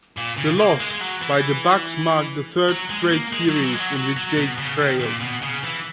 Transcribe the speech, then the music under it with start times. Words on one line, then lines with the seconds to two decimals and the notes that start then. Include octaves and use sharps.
The loss by the Bucks marked the third straight series in which they trailed.
0.17 A#2
0.37 C#3
0.59 A#3
0.80 G#3
0.91 G#3
1.00 F#3
1.21 E3
2.69 F#3
2.90 G#3
3.11 A#3
3.33 G#3
3.49 F#3
3.64 E3
3.73 G#3
3.80 F#3
3.95 F#3
4.17 F#3
4.38 B2
4.58 C#3
4.80 D#3
5.01 A#2
5.22 B2
5.42 C#3
5.64 E3